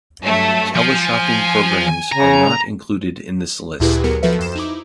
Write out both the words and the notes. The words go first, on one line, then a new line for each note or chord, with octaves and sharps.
Teleshopping programs are not included in this list.
G2 F#3 A3
F3 G#5
C#3 A#5
D2 A#2 E4 G4 G#4 B4
D2 F#3 B3 A#4 C#7
F3 F#4 A4 B4 E5
F2 C5 E7
D#4 E4 D6